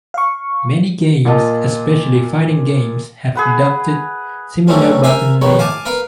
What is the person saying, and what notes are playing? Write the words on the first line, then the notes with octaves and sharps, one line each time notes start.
Many games, especially fighting games, have adopted similar button layouts.
F5 C#6
A#2 F4 D#5 A5
G#4 B4 F#5
E3 F#3 G3 A3 C4 C#4
A#4 C5 E5 F5 G#5
A#1 D#3 B3 C#5
F5 G#5 A5 D6
A#4 B4 F5